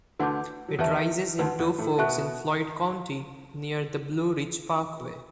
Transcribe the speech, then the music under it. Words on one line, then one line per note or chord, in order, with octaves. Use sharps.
It rises in two forks in Floyd County near the Blue Ridge Parkway.
D2 D3 B4 F#5 A5 D6 G6
F#3
E2 E3 G4 B4 E5 A5
D2 D3 B4 F#5 A5
E2 E3
A2 A3
B2 B3 E5 A5 C#6 F#6